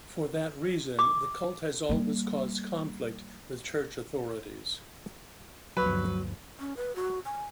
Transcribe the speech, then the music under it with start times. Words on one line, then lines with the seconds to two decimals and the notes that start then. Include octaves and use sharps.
For that reason the cult has always caused conflict with church authorities.
0.99 D6
1.89 G3 A#3
5.77 G1 D2 F3 F#3 B4
6.60 C#4
6.77 B4
6.96 F#4
7.25 G#5